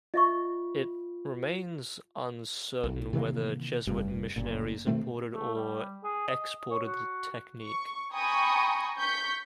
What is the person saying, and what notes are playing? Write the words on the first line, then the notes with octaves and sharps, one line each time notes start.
It remains uncertain whether Jesuit missionaries imported or exported the technique.
F4 D#5 E5 C#6
B1
C3 D#3 E3 A#3
F1 G2
F#1 A#2
B2 D#3 A3 C4
A3
G3
G#4
D#5
C#5
F#4
C#6
G5 G#5 A#5 B5 C#6 D#6
C#6 G6 B6